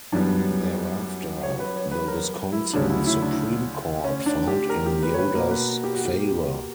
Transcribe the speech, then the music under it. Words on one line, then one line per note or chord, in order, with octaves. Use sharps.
Thereafter the Wisconsin Supreme Court found in Yoder's favor.
F#2 E3 G3 B3 D4
C#5
B4
C#5
B4
A#4
E4
D2 C#3 F#3 D4
E4
E4
D4
C#4
D4
G4
A#4
G4
B4
C#5
B4
B2 A#3
B4
G4
F#4
G4